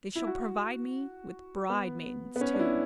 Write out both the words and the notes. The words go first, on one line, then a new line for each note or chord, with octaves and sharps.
They shall provide me with bride-maidens too.
E4
F#4
B3
B3
C#4
D4
E4